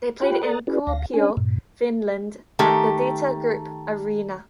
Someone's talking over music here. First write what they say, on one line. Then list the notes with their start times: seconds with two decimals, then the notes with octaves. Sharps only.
They play in Kuopio, Finland at the Data Group Areena.
0.22 F4 G4 G5 B5 F#6
0.43 A4 D5 A#5 D#6 F#6 A6
0.67 C#4 E4 F#4 G#4 B4 D5
0.87 D2 F5 A#6
1.13 C#4 D4 G#4 C#5 G#5
1.37 G2 A#2
2.59 D#3 A3 G4 A#5